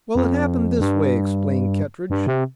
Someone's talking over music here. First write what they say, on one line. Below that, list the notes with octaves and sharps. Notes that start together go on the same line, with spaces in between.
"Well, it happened this way," explained Kettridge.
F2
G2
G2
C3